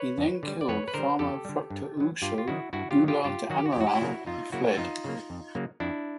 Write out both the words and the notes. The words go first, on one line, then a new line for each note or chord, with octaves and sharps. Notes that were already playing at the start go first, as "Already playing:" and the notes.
He then killed farmer Fructuoso Goulart do Amaral and fled.
Already playing: B4 C#5
F2
D3 G3
D5
F2 B4 C#5
B4
D3 G3 A#4 C5
F2 G4 A4
D3 G3
G2
D#3 F#3
G2 F4 G4
F4
D#3 F#3 E4 F#4
G2 E4 F#4
F4 G4
F#3
D#3 F4 G4
G2 F4 G4
D#3 F#3 F#4
G4
F#4
G4
F2 F#4
G4
E4 F#4
C#3 F#3 A#3
F2 D#4 F4
C#3 F#3 A#3 E4 F#4
F#4
F2 D#4 F4
C#3 F#3 A#3
F2
C#3 F#3 A#3
F2 D4 E4